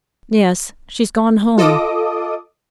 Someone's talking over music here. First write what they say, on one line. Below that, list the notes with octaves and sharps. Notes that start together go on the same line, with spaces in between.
"Yes, she's gone home."
F4 A4 D#5 D6 D#6